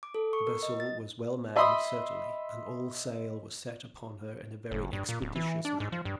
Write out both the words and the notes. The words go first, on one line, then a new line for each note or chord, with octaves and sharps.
The vessel was well manned, certainly, and all sail was set upon her in a very expeditious manner.
D6
A4
C#6
A#4
D#5
A6
D#5 E5 B5 C6 D#6
F#1
G2
A#2
D1
E3
D4
G#2
F3
G2